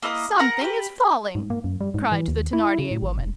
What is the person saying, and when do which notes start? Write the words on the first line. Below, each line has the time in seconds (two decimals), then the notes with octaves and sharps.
"Something is falling!" cried the Thenardier woman.
0.03 A#3 E4 D#5 D#6
0.39 A#4 F#5 A#5
0.61 G4 B4
1.35 G#2
1.50 A#3
1.64 F#2
1.81 G3
1.94 G#2
2.12 E3
2.28 D#2
2.53 E4
2.79 C#3
2.91 A2
3.03 G#1
3.18 E1